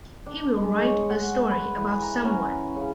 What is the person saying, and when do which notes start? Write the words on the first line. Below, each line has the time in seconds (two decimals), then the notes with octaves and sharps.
He will write a story about someone.
0.26 D4
0.56 G#3
0.85 C#5
1.10 F#5
1.51 B4
1.76 E3
2.02 A#5
2.25 C#4
2.76 C#3